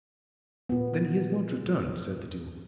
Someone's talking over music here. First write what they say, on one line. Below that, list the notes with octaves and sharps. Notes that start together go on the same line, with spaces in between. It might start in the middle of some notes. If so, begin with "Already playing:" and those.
"Then he has not returned?" said the duke.
A#2 B3